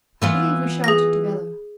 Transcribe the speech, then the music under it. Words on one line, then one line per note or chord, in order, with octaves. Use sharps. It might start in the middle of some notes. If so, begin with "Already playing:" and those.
I believe we shouted together.
E3 B3 F4
G#4 A#6